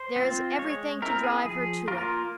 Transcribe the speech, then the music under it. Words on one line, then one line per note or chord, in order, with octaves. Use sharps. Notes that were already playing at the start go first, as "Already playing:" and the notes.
There is everything to drive her to it.
Already playing: C5
C4 F4
G#3 C#5
C4 E4 A#4
G#4
F3 G#4
A#3 F4 A#4